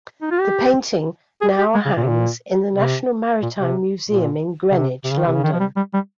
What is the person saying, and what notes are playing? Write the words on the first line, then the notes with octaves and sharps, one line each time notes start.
The painting now hangs in the National Maritime Museum in Greenwich, London.
D#4
F4
G4
G#4
G4
G#3
C#3
A#2
C3
A#2
C3
A#2
C3
A#2
C#3
C3
C3
C#3
D#3
C3
C#3
D#3
F3
G3
G3
G3